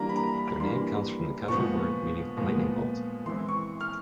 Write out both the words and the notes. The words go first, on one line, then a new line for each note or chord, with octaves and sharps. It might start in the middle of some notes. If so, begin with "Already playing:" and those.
Their name comes from the Quechua word meaning "Lightning Bolt".
Already playing: E3 G3 A#3 D4 A#5
B5
A#5
B5
B5
E3 G3 A#3 D4 C6
A#2 F3 G#3 B3 C#6
A#2 F3 G#3 B3
E3 G#3 C4 E4 C6
C#6
F6